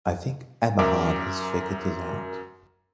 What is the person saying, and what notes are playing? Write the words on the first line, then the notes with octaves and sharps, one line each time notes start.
I think Eberhard has figured it out.
F#2 A#4 E5 D6